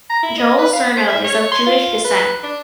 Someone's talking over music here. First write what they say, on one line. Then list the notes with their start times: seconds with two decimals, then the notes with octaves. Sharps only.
Joel Surnow is of Jewish descent.
0.10 A#5
0.23 E4
0.38 D#5
0.58 B4
0.73 F5
0.97 C5
1.09 E5
1.24 C#5
1.52 C6
1.66 F4
2.05 B4
2.43 D4